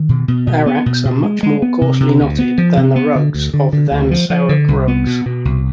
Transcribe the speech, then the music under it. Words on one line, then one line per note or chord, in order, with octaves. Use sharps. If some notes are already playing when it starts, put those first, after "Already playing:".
Araks are much more coarsely knotted than the rugs of than Sarouk rugs.
Already playing: D#3
B2
B2
B2
B3
B2
B2
G#3
G#3
B3
C3
C3
D2
B3
F3
C3
B3
D3
D2
D3
D3
D2
F3
F3
D3
C2
B3
B2
B2
C2